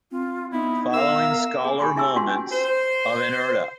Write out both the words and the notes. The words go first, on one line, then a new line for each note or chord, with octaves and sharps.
Following are scalar moments of inertia.
C4 F4
B3 D#4 E4 E5
A#4 E5 F5 E6
G#4 G#5
G4 G#5 B5 C6
D#4 G#4 E5 G#5 C#6 E6
C#4 F4 F#4 C6
C#4 G#5
C5